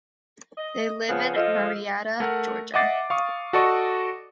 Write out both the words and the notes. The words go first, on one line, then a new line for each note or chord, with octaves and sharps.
They live in Marietta, Georgia.
D#5
C#3 F3 B3
F3 F4 A4 D#5
A3 A#4 F#5
D#5 E5 F#5 D6 A6 C7
F5 C#6 D#6
F#4 A4 D5 D#5 C#6